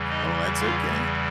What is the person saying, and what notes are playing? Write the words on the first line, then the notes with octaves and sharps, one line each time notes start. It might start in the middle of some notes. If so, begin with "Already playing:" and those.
Oh, that's okay.
Already playing: E2 C#3 E3 G3
D#4 D#5
F4 F5